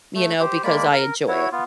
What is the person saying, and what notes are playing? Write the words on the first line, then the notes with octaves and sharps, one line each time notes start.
you know, because I enjoy it.
A3
G4 C5
G#3 A#3 D5 B5
A#4
E4 F#4 C#5
B3 F4